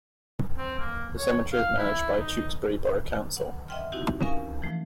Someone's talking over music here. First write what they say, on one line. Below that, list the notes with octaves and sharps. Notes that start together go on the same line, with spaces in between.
The cemetery is managed by Tewkesbury Borough Council.
C4
A#3
C#5
F5
E4
D#4
F#5
D#5 E5 F#5 G5 C6 F6
C4 D#4 E4 F#4 G4
B2 C#4 A#4 F5 G#5 C#6
E3 F3 A3